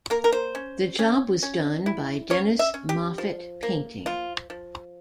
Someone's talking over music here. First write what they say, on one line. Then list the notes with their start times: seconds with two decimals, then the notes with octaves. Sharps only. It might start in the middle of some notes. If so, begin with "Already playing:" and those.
The job was done by Dennis Moffitt Painting.
0.10 A#3 A#4
0.24 A#4
0.32 C5
0.55 C#4
0.99 C#4
1.43 C#4
1.86 E4
2.30 C#4 C#5
2.59 E5
2.74 C#4
2.89 G4
3.18 F3
3.63 A#3
4.06 F3 F4
4.50 F3